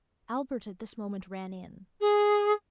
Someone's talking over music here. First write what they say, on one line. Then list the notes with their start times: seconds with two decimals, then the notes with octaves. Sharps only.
Albert at this moment ran in.
2.00 G#4